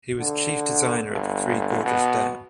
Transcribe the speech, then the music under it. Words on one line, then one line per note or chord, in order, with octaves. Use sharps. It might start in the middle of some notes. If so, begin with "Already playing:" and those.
He was chief designer of the Three Gorges Dam.
D3
G1
B2